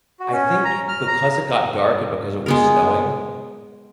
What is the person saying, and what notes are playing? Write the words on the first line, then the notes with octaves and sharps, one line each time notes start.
I think, because it got dark and because it was snowing,
F#4
C#4
A#5
F6
A#5
G#3 B3 A#4